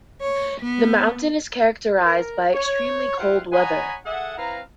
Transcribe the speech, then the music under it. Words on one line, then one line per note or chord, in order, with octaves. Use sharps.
The mountain is characterized by extremely cold weather.
C#5
B3
A#4
C#5
E4 F4 G4 C5 F5 F#5
C#5 D#5 F#5 G#5 A#5 B5
G#4 A4 E5 F#5
C4 E4 B4 F5 A#5